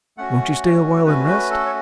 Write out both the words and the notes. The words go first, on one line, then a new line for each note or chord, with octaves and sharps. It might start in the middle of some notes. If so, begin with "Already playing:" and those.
"Won't you stay awhile and rest?"
A3 C#4 F#4 F#5
A3 C#4 F#4 B4
B4
A4
C#5